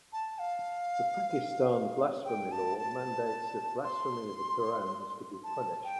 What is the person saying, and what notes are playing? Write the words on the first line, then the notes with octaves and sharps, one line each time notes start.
The Pakistan blasphemy law mandates that blasphemy of the Qur'an is to be punished.
A5
F5
G5
A5
A5
C6
A5
G5